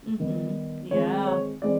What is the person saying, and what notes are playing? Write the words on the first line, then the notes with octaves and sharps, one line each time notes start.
Mhm. Yeah.
D#3 G3 B3
D#3 G#3 C4 C#5
C#5
E3 G#3 C4 D5